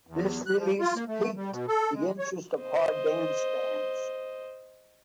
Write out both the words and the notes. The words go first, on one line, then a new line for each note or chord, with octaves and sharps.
This release piqued the interest of hard dance fans.
E2
F#6
F3
F4
A#3
A3
G3
B2
A4
G#3
C#5
C5 D#5